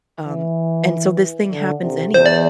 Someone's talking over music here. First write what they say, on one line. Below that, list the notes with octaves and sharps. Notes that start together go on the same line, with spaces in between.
um, and so this thing happens anyway.
E3
D3
C3
E2 C5
D5